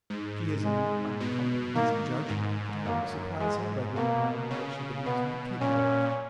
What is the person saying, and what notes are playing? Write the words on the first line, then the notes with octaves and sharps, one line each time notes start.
She is an uncompromising judge, but I will surprise her by going beyond what she believes me capable of.
G#2
G#3
B2
D#3 A#3
G#2
F#2 A#3
G#2 G#3
B2 A#3
C#3
B2 B3
A#2 C#4